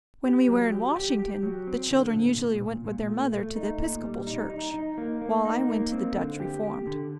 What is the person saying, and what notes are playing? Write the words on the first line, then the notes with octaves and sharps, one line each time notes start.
When we were in Washington, the children usually went with their mother to the Episcopal church, while I went to the Dutch Reformed.
G4
F#3
G4
G4
G4
F#3
C4
D3
A#2
A#2
A#2
A#2
A3
A3
D#4
A#2
G3
D#4
D#4
D#4
A#3
A#3
D#4
A#3
C4
D3
G4
G4
D3